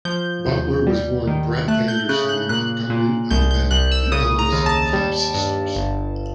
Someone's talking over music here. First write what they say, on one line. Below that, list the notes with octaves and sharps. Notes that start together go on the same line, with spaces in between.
Butler was born Brett Anderson in Montgomery, Alabama, the eldest of five sisters.
F3 G6
D#2
G3
D#3
A3 F#6
G6
C#3 F#6
F#6
A#2 F#6
A#2
C2 G6
G6
C2 F#6
E6
C#3 D#6
A#5
D#2
A5
G3
G2
G1